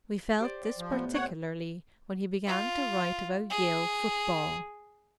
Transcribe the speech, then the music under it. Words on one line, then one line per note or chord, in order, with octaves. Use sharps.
We felt this particularly when he began to write about Yale football.
G4 C5 D5
D5
F3
A2 B3 G6
C4 C#5 F#5
F4
G#4